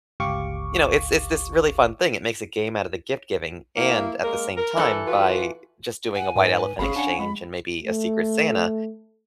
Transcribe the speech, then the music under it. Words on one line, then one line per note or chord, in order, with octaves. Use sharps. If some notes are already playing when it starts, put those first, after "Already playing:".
you know, it's it's this really fun thing. It makes a game out of the gift giving and at the same time, by just doing a white elephant exchange and maybe a Secret Santa,
G1 C#2 G4 F5 C#6 D6
A#3 E4
G#3 A#3 A#4
A#4
E3 A4
F4 F#4 B4
F#5 G#5
G#2 B4
G#1 C#4 G#4 F5 B5
D4 F#5 G#5
G#3 B5
A3